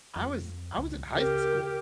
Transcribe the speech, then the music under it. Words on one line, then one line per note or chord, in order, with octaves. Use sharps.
I was I was in high school,
F2
C#2
C#3 G4 A#4